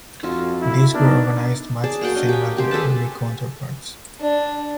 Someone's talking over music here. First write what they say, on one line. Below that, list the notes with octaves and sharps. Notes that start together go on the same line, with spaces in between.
These were organized much the same as their Army counterparts.
F2 F4 F#4 A4
E4
B3 D4 D#4 A#4
G#4 D5 A5
A#3 F#4 F#5 G5
A#3 C#4 D4 D#5
G4 G#5
C4 G4 C5
G#4 A4 B4 A5
D4